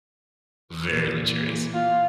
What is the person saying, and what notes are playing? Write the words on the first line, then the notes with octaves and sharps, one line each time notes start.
Very luxurious.
A#2 E3
F4